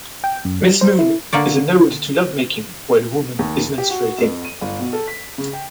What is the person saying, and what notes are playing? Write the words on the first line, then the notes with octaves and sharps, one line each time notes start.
"Miss Moon" is an ode to lovemaking while a woman is menstruating.
G5
F#2
G3
C5
E4
D3 A#3 C#5 D5
D#2
G4
F#4
F2
D#7
G1
B2
A4
B6
C#3
G5